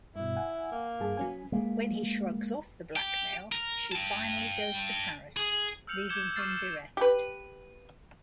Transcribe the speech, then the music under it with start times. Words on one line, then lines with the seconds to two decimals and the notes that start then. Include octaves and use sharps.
When he shrugs off the blackmail, she finally goes to Paris, leaving him bereft.
0.16 G2 B2 E4
0.36 F#5 G#5
0.72 A#3
1.00 G2 G#4 A5
1.17 F#3 C#4 G#5
1.52 G#3 A#3
2.96 G4
3.52 A#4
3.92 G5 A5
5.37 G#4
5.87 E6 F6 G6 C#7 F7 F#7
6.09 D6 G6 G#6 C#7 E7 G7
6.36 C#6 D6 E6 F6 A6 C7
6.97 G4 B4